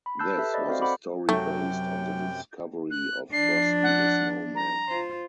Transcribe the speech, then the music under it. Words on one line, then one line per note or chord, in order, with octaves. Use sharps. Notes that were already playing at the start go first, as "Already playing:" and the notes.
This was a story based on the discovery of Frosty the Snowman.
B5
A5 E6 F#6 G6 C7
G4 A4 B4 E5
C5 D5 D#5 B5 A6
C4 F#4 C5 D5 F5
A4 C5 F#5 B5 D6
F#2 C3 F#3 A3 G5
F#6
F3 D4 C7
F#5
A#5
F4 C5